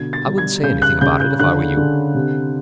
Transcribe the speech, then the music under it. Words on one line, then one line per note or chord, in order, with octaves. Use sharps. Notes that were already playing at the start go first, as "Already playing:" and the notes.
I wouldn't say anything about it if I were you.
Already playing: B2 D3 G#6
A6
G3
G#6
C#3 G6
F#6
C#3 G6
G6
D3 F#6
D3
C3